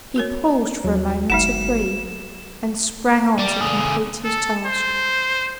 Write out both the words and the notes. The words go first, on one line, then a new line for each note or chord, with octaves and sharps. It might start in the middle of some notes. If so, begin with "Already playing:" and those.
He paused for a moment to breathe, and sprang on to complete his task.
F#4 A#4 C#5
D#2 F#3
G1 G#3 D#4 F#5 E7
G3
D3 G#4
A4
C5